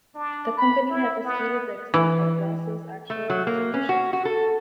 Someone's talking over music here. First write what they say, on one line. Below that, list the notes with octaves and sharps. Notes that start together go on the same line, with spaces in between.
The company had disputed the extent of Ross's actual contributions.
D4
B5
E4
B3
E3
A3
F#3
A#3
C#4
F#4
F#4
A4